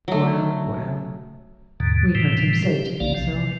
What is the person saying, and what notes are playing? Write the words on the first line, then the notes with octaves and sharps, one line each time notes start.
"Well, well!" we heard him say to himself.
F#3 A3
D#2 G#2 B2 D3
A2 C3 E3 F3 G3
G4
B1 A#3 D5 F5
C3 F3